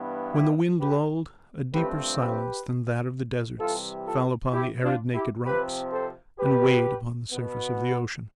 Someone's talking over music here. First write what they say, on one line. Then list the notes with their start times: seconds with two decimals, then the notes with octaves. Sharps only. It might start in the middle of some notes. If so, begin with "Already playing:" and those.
When the wind lulled, a deeper silence than that of the deserts fell upon the arid, naked rocks, and weighed upon the surface of the ocean.
Already playing: G2 E3 B3
0.33 E4 G4
0.80 G4 B4
1.73 G2 F3 A3 C4 G4 B4
2.20 G4 B4
3.59 C3 E3 G3 F4 A4
4.06 F4 A4
4.52 E4 G4
4.83 D4 F4
5.14 E4 G4
5.45 C3 F3 C4 G4 B4
5.92 A4 C5
6.39 G4 B4
7.32 B2 B3